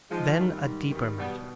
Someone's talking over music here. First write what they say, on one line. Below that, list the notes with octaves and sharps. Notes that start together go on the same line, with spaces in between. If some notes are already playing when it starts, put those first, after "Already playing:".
Then a deeper matter.
G#2 F3 G#3
D#3 G3
G#2
D#3 G3
B2 G3 B3